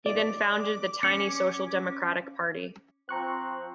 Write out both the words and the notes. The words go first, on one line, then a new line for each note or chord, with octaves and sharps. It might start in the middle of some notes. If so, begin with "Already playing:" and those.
He then founded the tiny Social Democratic Party.
D5 D6
C#4 C#7
F3 C4 A#5 C#6 F#6